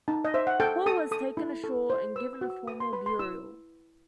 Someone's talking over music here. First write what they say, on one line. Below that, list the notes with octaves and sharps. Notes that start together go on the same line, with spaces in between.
Hall was taken ashore and given a formal burial.
D#4 A5
D#5
C5 E5
F#5
A4 G5
A4 D#6
A4 D#6
E4
A4
C5
B4 E6
E6
F#4
E6
B4 D#6
C6
B4 B5
C6
E4 E6